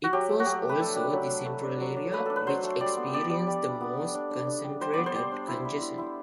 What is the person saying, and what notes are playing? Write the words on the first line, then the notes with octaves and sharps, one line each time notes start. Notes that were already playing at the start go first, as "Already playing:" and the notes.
It was also the central area which experienced the most concentrated congestion.
F#4
F#3 G4
A3
F#4
F#3 G4
A3
B4
D4 A4
D4
F#3
A3
A3
D4
F#3
D4
A3 B4
D4 A4
B4
F#3 C5
A3
G3 D5
B3
B3 D5
G3
G3
D4
B3
D4
D4
D4
D4
G3
G3 C5
B3 D5
C5
G3
D4
E4
E4
E4
E4